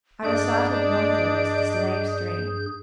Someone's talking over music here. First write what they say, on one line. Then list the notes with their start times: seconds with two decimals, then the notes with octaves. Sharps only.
I recited Longfellow's "The Slave's Dream".
0.24 G2 D4 G#4 D5 D#5 G6